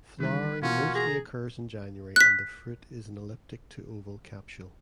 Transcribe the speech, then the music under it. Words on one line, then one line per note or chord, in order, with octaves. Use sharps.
Flowering mostly occurs in January and the fruit is an elliptic to oval capsule.
D#3 E3 G3 B4
B2 E3 A#3 C#4 F4 F#4
G#4 A#5
F#6 B6